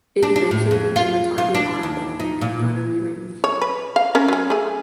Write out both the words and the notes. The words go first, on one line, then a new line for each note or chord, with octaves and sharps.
It eventually became a target on a bombing and gunnery range.
D4
D4
A2
F2
F4
F4
D4
D#2
D#4
A#2
C#5
B4
F5
C4 C#4 A#4
F#3 C#4
A3 G#4